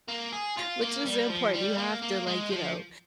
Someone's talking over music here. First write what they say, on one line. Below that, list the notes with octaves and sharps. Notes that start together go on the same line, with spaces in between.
Which is important, you have to, like, you know
A#3
G#4
F4
A#3
G3
F3
G3
A#3
A#3
G#3
F3